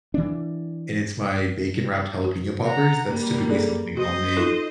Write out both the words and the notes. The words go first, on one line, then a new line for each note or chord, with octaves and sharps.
and it's my bacon-wrapped jalapeno poppers. That's typically something I'll make
E3 D4
F#4
F#5 A#5
G3 A#3
G#4 A4 D5
F#4 C5 D#5
D#4 F4 A4